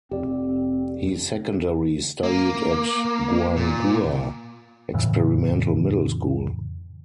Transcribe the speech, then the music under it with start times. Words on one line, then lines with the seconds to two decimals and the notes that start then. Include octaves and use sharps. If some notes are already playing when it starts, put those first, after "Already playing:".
He secondary studied at Guanghua Experimental Middle School.
0.11 F1 C4 G4 D5
2.23 A#3
3.56 A#2
4.94 F2 A2 C#3 E3